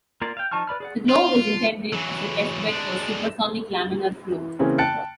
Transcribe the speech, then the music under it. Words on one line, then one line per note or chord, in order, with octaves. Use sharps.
The glove is intended as a testbed for supersonic laminar flow.
A#3 F4 A#4 D5
F5 G5
F3 D#4 A5 C#6 F6
B4 D5 B5 F6
G#4 D5 F#5
F4
E3 F#3
G#3 D4
E3
C#3 E3 A#3 C4 C#4
G5 A5 F#6 A6 C#7 D7